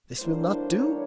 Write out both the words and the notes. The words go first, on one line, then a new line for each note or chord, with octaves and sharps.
'This will not do.
A2 E3 G3 A#3 D4 C5
C5
C#5